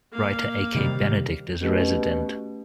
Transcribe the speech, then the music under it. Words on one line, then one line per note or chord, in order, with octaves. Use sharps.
Writer A. K. Benedict is a resident.
A#3 F5
C3 D#3 G3
B2 A3 C#4 G4